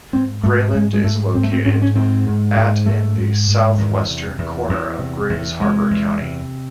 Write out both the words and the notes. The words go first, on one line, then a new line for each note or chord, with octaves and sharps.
Grayland is located at in the southwestern corner of Grays Harbor County.
G#2 C4
G#2 A3
G#2 G#3
G#3
G#2 A3
G#2 C4
A3
C4
G#2 C#4
C4
C#4
G#2 C4
G#2
G#2
G#2 A3
G#2
G#2
E2 D#3
C3
E2
E2 E3
C3
E2
C3 G#3
E2
C3